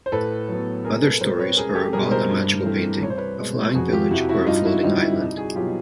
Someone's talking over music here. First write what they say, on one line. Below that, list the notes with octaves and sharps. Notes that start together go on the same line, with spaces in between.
Other stories are about a magical painting, a flying village or a floating island.
C5
A2 A4 B4
F#3 B3
B2 G#4 A#4
A4 B4
G3 C4 A#4 C5
B4 C#5
C#2 G#4 A#4
G4 A4
B2 G3 G#4 A#4
A#4 C5
G2
E3 A3 C4
C2 C#5
C5
B4 C#5
B2 G#3
F2 F#4 G#4
F4 G4
C3 F3 E4 F#4
E4 F#4
G2 D#4 F4
E4 F#4
D3 G3 C4 D#4 F4
E4
C2 D#4
F#4 G#4
B2 F#3 B3 F4 G4